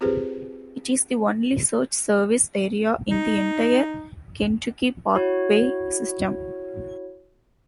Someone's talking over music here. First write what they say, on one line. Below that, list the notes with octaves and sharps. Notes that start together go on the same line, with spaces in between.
It is the only such service area in the entire Kentucky parkway system.
C4 F4 G4 G#4 B4 C5
D#4
E4 F#4 C#5